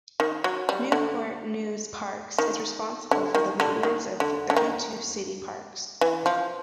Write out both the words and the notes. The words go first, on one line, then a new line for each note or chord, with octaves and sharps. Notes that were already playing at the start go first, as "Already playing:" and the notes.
Newport News Parks is responsible for the maintenance of thirty-two city parks.
D#3
F#3
G3
D3
D#3
D3
D#3
D3
D#3
D3
D3
D#3
E3
F3